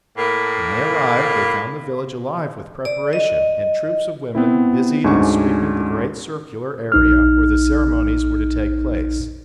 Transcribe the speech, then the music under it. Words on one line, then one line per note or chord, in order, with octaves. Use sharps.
When they arrived, they found the village alive with preparation, and troops of women busied in sweeping the great circular area where the ceremonies were to take place.
A2 A#3
D5
D#5
B3 C4 E4
D2 G#2 C#4 D4 C#6
A#1 D#4 F6